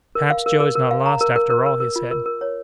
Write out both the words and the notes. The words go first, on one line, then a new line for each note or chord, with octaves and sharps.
"Perhaps Joe is not lost after all," he said.
A#4
F5
A#4
A#4
A#4
F5
A#5
A#4
A#4
A#4
A#4
A#4
F4
A#4
A#4
C#5